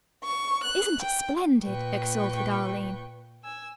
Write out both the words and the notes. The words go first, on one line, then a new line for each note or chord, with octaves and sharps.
"Isn't it splendid!" exulted Arline.
C#6
F#6
G5
A#2 B4 G5 C#6
G#5 E6